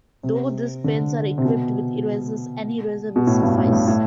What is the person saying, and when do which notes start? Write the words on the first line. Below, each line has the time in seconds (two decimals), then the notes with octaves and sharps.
Though these pens are equipped with erasers, any eraser will suffice.
0.23 C3
0.84 D3
1.38 C3
1.45 B2
3.16 B2
3.27 A2
3.43 G2
3.57 A2
3.68 A2
3.73 G2
3.87 A2